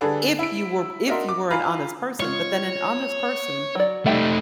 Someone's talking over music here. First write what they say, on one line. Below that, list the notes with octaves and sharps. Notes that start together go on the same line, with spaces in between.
If you were if you were an honest person but then an honest person
D3 G3 D4 G#4 A4 B4
E4 D7
D4 D#4 F#4 A#4 E5 C6
D6
F4 F5 G#5 A#5 B5
G#3 F4 C#5
F#3 D5
G3 A3 D#4 E5 G5